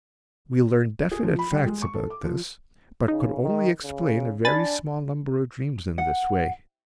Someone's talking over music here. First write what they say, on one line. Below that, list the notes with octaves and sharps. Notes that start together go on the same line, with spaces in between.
We learned definite facts about this, but could only explain a very small number of dreams in this way.
G#4
F3
B5
G3
G#3
C#6
A4
D6
F3
C#3 D#4
D#3
C#3
D4 G#5 B5 A6
F#5